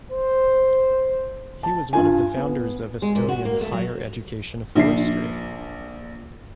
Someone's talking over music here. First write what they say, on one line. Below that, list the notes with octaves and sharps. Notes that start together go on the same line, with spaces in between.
He was one of the founders of Estonian higher education of forestry.
C5
A5
G2 F4 G#5
B3
G#3
A#2
F#4
A#3
A3
F#3
A#1 D4 C7